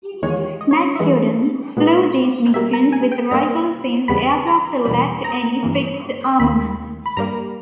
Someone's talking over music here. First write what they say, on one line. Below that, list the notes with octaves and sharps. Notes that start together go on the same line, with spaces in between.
McCudden flew these missions with a rifle since aircraft lacked any fixed armament.
E2 D#3 G#3 C#5
D#5
C#5
D#5
E5
G2 E3 G#3 B3 D#5
A#2 G#3 B3
B2 G3 A#3 E5
A#5
G#5
G5
G2 G3 A#3 A#5
E2 C#3 G3 B3 B5
A#5
E2 B2 G3 B5
A#5
G2 E3 A#3
D#2 D#3 A#3 B5
B5
G2 G3 A#3 A#5